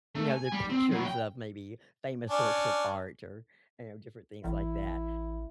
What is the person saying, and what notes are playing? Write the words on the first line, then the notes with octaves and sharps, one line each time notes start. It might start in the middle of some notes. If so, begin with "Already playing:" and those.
you know, they're pictures of maybe famous works of art or and different things like that.
A3
G#5
G3
C4
F#3 E4
G5
C#4 D4
A1 E3 E4